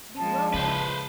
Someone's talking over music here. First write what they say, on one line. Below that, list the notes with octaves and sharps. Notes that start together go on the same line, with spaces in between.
To be well lodged!
F3 G#3 A5
C#3 B4 C5